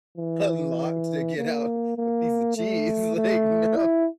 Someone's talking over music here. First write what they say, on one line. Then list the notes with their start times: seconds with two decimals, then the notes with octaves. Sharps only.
unlocked to get out a piece of cheese," like, "No."
0.18 E3
1.38 A#3
1.97 A#3
2.57 A3
3.17 A3
3.76 E4